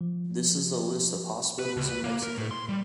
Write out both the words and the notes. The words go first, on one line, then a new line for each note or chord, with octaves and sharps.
This is a list of hospitals in Mexico.
F3
B4
C#2
B4
A#3
A#4
A2
C6
G3